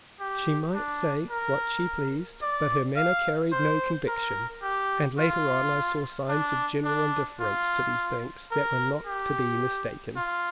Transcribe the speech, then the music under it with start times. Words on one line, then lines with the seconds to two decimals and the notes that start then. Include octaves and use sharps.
She might say what she pleased, but her manner carried no conviction, and later on I saw signs of general indifference to these banks that were not to be mistaken.
0.20 G4
0.75 D4
1.31 A#4
2.42 D5
2.97 F5
3.52 C5
4.08 A#4
4.63 G4
5.18 F4
6.29 D4
6.85 D4
7.41 F4
8.51 A#4
9.07 G4
10.16 F4